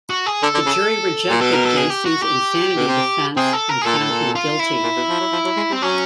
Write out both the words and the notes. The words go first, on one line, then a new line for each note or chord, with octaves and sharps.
The jury rejected Gacy's insanity defense and found him guilty.
F#4
G#4
D3 A4
D3
C#3
A#2
B2 A4
A#4
A4
G#4
G4
F#4
G4
B2
C3
C3 G#4
A4
A#4
G#4
A#2 A4
A2
A#2
F4
E4
A#2
B2
F3
F#3
F3
F#3
G#3
G3 C4
F#3 C#4